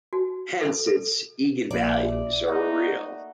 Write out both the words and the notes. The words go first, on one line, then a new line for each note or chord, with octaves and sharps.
Hence, its eigenvalues are real.
F#4
A4
A4
A#1 A#2 E4 D5 D#5 A#5
A3 A#3 D#4 F#4 F#5